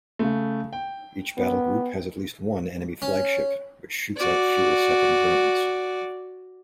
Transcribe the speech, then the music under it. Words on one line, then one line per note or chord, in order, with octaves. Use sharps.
Each battlegroup has at least one enemy flagship, which shoots out fuel-sapping drones.
C#3 A3
G5
B3
C#4
F#4 D5